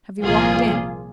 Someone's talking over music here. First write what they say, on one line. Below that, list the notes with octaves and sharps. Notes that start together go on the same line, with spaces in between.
Have you walked in!...
C2 A#2 F3 A#3 F4 G#4